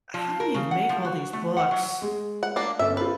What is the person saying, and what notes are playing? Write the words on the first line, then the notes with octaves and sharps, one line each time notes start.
How did he make all these books?
F3
A#4
C#3
F#5
F3
F#4
A3
F#5
F#3
G#3
F#5
A#3 D4
G1 C#4 A4 E5
F4 A4 B4 C5